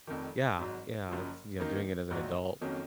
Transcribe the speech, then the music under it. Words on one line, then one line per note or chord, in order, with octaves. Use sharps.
Yeah. Yeah, it's you know, doing it as an adult,
F1 F2 D#3
G#1 G#2 F#3
F#1 F#2 F3
F#2 D#3 A#3 D#4
A#1 G#2 F#3
F2 D#3 F#3 A#3 C#4